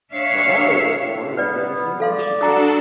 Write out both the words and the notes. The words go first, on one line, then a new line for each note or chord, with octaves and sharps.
Muhammad was born in Lansing, Michigan.
D4 C#5 E5 F5
B3 B4 D5
A4 D5 F5 C6
D4 F#4 A4 A#5 D#6